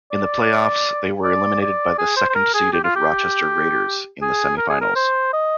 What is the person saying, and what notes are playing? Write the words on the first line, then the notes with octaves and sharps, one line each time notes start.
In the playoffs, they were eliminated by the second-seeded Rochester Raiders in the semifinals.
D5
D5
D5
G#4
C5
C5
A#4
G#4
G4
F4
G4
G#4
A#4
G#4
A#4
C5
D#5